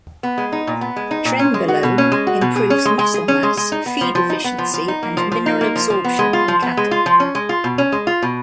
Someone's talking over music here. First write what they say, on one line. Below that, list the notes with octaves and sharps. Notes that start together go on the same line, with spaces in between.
Trenbolone improves muscle mass, feed efficiency, and mineral absorption in cattle.
B3
G#3
D#4
A#2
B3
G#3
D#4
A#2
C#4
G#3
F#4
B2
C#4
G#3
F#4
B2
G#4
C#4
G#3
G#3
G#4
C#4
G#3
G#3
D#4
B3
F3
F3
D#4
B3
F3
F3
D#4
A#3
F3
F3
D#4
A#3
F3
F3
B3
G#3
F4
F3
B3
G#3
F4
F3
C#4
G#3
F4
B2
C#4
G#3
F4
B2